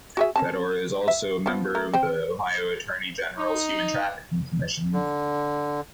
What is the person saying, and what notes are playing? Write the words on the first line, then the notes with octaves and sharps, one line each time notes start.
Fedor is also a member of the Ohio Attorney General's Human Trafficking Commission.
F#4 G#4 E5
C4 C#4 A5
E5
F3 B3
A3 A#4
C4 C5 G5
D#4
D3